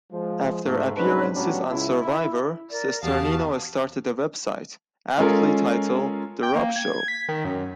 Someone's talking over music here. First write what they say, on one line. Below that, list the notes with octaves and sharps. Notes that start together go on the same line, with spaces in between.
After appearances on "Survivor", Cesternino started a website, aptly titled "The Rob Show".
F3 G#3
G#2 A3
C2 G#2 C#4 D4 B4
A2 F#3 G3 B3 C#4 D4
C#2 E4
E4
A#4 D5
E2 F#4 G4 F5 A5 D#6
G#3 C#4 F4 A4 A#4
G5
A#3
G#6
B6
D#3
F#2